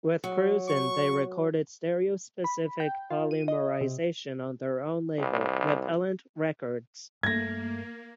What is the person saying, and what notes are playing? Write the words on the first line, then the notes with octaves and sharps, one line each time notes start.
With Krusen they recorded "Stereo Specific Polymerization" on their own label, Repellent Records.
F#3
C#6
B5
G5
F4
D#7
D#5
C3
C2
G2 A3 A#3 G#6 A#6